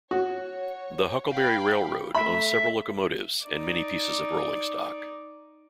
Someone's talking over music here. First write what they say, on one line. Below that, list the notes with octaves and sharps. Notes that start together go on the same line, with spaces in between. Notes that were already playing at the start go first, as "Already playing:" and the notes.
The Huckleberry Railroad owns several locomotives and many pieces of rolling stock.
F#4 C#5
F5 G5 B5
A3 E5 B5
D#4 D5